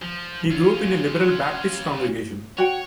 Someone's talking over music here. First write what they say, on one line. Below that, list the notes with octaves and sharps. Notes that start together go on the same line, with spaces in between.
He grew up in a liberal Baptist congregation.
F3
C#4 F4
F#4 C#5 G5